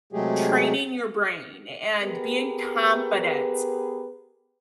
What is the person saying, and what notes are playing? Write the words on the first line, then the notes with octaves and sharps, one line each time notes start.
training your brain and being confident
C3 F#3 G#3 A3 G4 G#4
B3 G4 G#4 A#4 B4